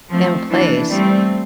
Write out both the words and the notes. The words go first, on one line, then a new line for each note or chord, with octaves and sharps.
in place
F3 A3 C4
E3 A#3 D4
G3 A3 C4